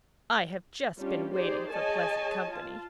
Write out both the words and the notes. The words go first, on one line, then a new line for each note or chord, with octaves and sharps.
I have just been waiting for pleasant company.
G3 C#4 D4 F4 G4
D#4 G4 G#4 C5 D5
G#4 C#5 D#5 G#5 A5
F4 A5